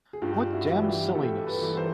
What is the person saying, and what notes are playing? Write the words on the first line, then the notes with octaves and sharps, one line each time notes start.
What damn silliness!
G#4
G2 F4 G4
E4 F#4
E3 G3
F4 G4
G2 G4 A4
A4 B4
E3 G3
A#4 C5